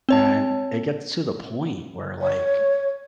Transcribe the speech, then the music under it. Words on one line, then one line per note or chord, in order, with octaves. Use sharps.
and it gets to the point where, like,
C4 C#5 A5
C#5